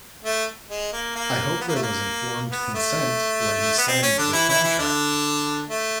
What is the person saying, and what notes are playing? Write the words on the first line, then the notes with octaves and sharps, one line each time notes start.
I hope there was informed consent when he signed the contract.
A3
G#3
A#3
A#3
B3
A#3
A3
A#3
B3
A3
B3
C4
C#4
D3 D4
E3 E4
E3 E4
E3 E4
D3 D4
A3